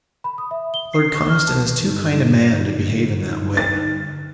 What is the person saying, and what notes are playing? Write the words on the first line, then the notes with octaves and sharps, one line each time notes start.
Lord Conniston is too kind a man to behave in that way.
B5
D#6
E5
G7
C7
C#6
F6
A5
G2 D3 D#4
A6